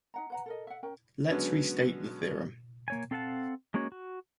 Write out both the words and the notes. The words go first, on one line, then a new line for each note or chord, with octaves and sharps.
Let's restate the theorem.
D#4 F#5 A#5
B4 F#5 A#5
A4 A#4 D#5
E5 F#5
C#4 A#4 G5
D3 F#3 G#3 B3 C#4
A#3 C#5 G#5
C4 A4 F5 F#5 A5
G#3 A#3 C#4 F#4 C#5
F#4